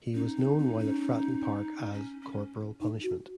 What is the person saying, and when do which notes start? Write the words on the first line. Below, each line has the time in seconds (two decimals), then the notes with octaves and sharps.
He was known while at Fratton Park as "Corporal Punishment".
0.15 C#4 D#4
0.37 C4
0.59 C4
0.81 C#4
1.93 C#4
2.22 C#4
2.81 D#4
3.03 F#4